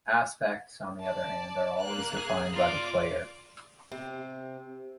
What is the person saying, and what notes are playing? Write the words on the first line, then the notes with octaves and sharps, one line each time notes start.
Aspects, on the other hand, are always defined by the player.
D5 A5
A#3 F#6
G#4
F4 D5 A#5 D6
C3